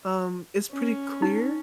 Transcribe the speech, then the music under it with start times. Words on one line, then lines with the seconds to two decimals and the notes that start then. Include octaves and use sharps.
um, is pretty clear,
0.72 C#4
1.22 D#4